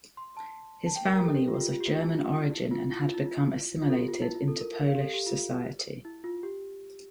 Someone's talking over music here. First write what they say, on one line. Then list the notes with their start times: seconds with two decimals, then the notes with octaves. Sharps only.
His family was of German origin and had become assimilated into Polish society.
0.17 C6
0.37 A5
0.86 A5
0.96 G5
1.05 A#4
1.16 A#4
1.20 G4
1.25 A4
1.35 G4
1.48 F4
1.54 G4
1.61 F4
1.73 F4
1.80 G4
1.86 F4
2.00 E4
2.13 F4
2.32 E4
2.52 E4
2.71 F4
2.91 E4
3.02 F4
3.14 E4
3.26 F4
3.36 E4
3.82 F4
3.90 A4
3.96 G4
4.08 F4
4.22 E4
4.35 F4
4.48 A4
4.61 A#4
4.74 A#4
4.87 F5
4.95 G4
5.00 A4
5.14 G4
5.27 F4
6.05 E4
6.24 F4
6.43 G4